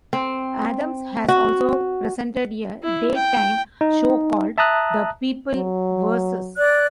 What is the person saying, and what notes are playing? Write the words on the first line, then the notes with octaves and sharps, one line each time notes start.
Adams has also presented a daytime show called "The People Versus".
C4
F#4
E4
G5
D#4
E5 A5 A#5 D#6 F#6
F#3
D5 F#6